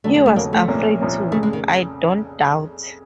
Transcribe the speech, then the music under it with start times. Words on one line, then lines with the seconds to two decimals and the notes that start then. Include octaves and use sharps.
He was afraid to, I don't doubt.
0.04 F1 F2 D3 F#3 A3
0.15 A3
0.26 A3
0.36 F1 F2 D3 F#3 A#3
0.53 A3
0.68 C2 A#2 F3 A#3 C#4
1.00 C2 A#2 F3 A#3 C#4
1.31 F1 F2 C#3 A3
1.43 G#3
1.53 D#3